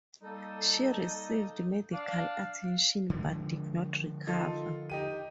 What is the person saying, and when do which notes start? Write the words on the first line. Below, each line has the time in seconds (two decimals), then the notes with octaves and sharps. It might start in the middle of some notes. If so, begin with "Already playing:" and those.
She received medical attention, but did not recover.
0.22 G3 A#3 D#4 A4
1.93 D4 F5
3.10 D3 F3 G#3
4.27 D#4 F4 A4
4.90 D#4 G4 D#7